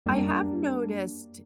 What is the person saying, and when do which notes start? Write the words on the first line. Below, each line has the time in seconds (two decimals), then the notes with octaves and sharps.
I have noticed
0.06 F#2 G3 A#3 D4